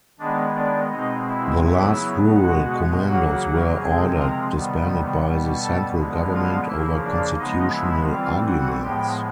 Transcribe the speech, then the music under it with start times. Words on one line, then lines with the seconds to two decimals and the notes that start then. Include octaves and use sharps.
The last rural commandos were ordered disbanded by the central government over constitutional arguments.
0.19 D#3 G#3 B3 D4 D5
0.55 D4 D5
0.91 B2 G#3 C4 D#4 D#5
1.27 E4 E5
1.63 C#3 F#3 B3 E4 E5
2.35 B2 G#3 B3 F#4 F#5
3.07 C#3 F#3 A#3 F#4 F#5
3.79 C3 F3 G#3 C4 G#4 G#5
4.15 A#4 A#5
4.52 C3 D#3 G3 B3
5.24 B2 G3 B3
5.59 A4 A5
5.95 D3 F3 G#3 B3
6.31 F4 F5
6.66 C#3 F3 A#3 E4 E5
7.03 D4 D5
7.38 C#3 F3 G#3 B3 D#4 D#5
7.74 E4 E5
8.10 E3 G3 C4 F4 F5
8.47 F#4 F#5
8.82 A2 F3 G#3 B3 G4 G5